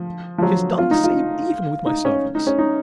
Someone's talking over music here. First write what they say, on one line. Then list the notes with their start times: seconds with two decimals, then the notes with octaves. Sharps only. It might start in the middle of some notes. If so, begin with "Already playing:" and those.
She has done the same even with my servants.
Already playing: F3
0.38 F3
0.42 F#3
0.78 F4
0.91 D#4
1.04 F4
1.86 D#4
2.05 C#4
2.35 D#4
2.47 C#4
2.59 D#4